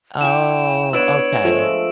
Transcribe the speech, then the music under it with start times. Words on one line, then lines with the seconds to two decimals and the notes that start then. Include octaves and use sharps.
Oh, okay.
0.21 E4 G5 C#6 E7
0.93 B3 D4 C#5 E6 D7 E7
1.44 F3 G#3 A3